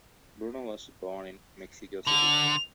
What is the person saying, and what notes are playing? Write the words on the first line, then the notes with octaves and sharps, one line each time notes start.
Bruno was born in Mexico City.
D3 F7